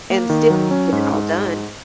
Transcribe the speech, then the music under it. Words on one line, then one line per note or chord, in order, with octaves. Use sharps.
and still get it all done.
A#3
D#3
F#3
C#4
G#2
G#2